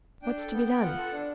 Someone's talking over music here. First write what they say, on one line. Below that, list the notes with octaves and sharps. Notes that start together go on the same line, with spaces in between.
What's to be done?
D4 G5
A4
B3
B3
F4 F#5
A4
D4